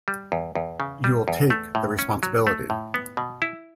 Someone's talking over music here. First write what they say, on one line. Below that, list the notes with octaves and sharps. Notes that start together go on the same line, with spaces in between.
You will take the responsibility.
G3
E2
E2
C#3
G3
E2
A3
A2
C#4
F#3
A3
A2
B3
B2
E4